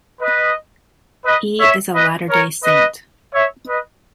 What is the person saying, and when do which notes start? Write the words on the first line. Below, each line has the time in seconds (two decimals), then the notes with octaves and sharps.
He is a Latter-day Saint.
0.21 B4 D#5
1.25 B4 D#5
1.60 C#5 E5
1.94 B4 D#5
2.30 A#4 C#5
2.64 B4 D#5
3.34 C#5 E5
3.68 B4 D#5